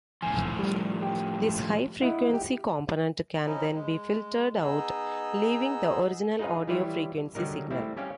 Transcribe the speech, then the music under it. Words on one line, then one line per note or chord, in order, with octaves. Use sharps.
This high-frequency component can then be filtered out, leaving the original audio frequency signal.
A2 F3 G#5
G3
G4
E4 D#5 F#5
G4
F3 C#4 D#4 E4
G#3
B3 D#4 G#4 E6
D#4 F4 G#4 B4 F5
E3 G3 E4 F4 G4 C#5
D3 F#3 G3 D#4 A#4
G3 A3 C4 E4
G3 C#4 G4 F5